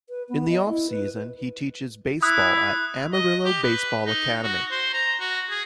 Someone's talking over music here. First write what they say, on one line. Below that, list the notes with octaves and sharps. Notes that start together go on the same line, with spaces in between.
In the off-season, he teaches baseball at Amarillo Baseball Academy.
B4
B3
D#5
E4
B4
E4 D#6 F#6
D#5
G4
B4
D#4
F#4
C5
A#5
F#4
G#4